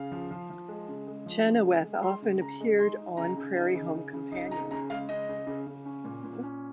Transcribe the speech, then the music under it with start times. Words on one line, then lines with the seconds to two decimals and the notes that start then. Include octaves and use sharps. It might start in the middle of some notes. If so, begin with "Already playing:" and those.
Chenoweth often appeared on "Prairie Home Companion".
Already playing: C#3 F5
0.12 F3
0.31 F3
0.50 F3
0.68 G#3
0.88 C#3
1.07 G#3
1.26 F3
1.45 C#3
1.64 G#3
1.84 G#3
2.03 G#3 C6
2.22 C#3
2.41 C#3 A#5
2.60 G#3
2.79 D#4 C6
2.98 D#4
3.17 C#3 A#5
3.37 C#3
3.56 D#4 D#5
3.75 C#3
3.94 C#3
4.13 C#3
4.32 D#4
4.51 C#3 A#5
4.71 C#3 A#5
4.90 G#3 F5
5.09 C#3 D#5
5.29 C#3
5.47 C#3
5.67 C#3
5.85 C#4
6.04 A#2
6.24 A#2
6.43 C#4